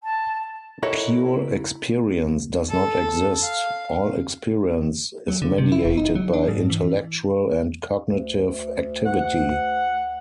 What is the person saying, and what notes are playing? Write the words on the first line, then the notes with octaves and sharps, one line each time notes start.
"Pure experience" does not exist; all experience is mediated by intellectual and cognitive activity.
A5
E4 F#4 A4 A#4 C#5 D#5
A4
F5
F#3
D3
C3
E4
E1
D#4
F#3
D4
G#2
E3
D2
F#5